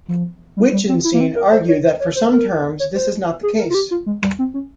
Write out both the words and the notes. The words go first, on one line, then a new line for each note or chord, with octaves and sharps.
Wittgenstein argued that for some terms this is not the case.
F3
G3
G3
C4
E4
A#3
C4
A#4
C5
C#5
C5
C#5
C5
A#4
C#5
C5
G#4
A#4
F4
G4
F4
G#3
G3
C4
C#4